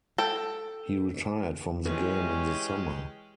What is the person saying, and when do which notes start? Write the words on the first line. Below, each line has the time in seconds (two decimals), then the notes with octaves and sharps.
He retired from the game in the summer.
0.18 A4 G5
1.85 E3 G#3 C#4 G4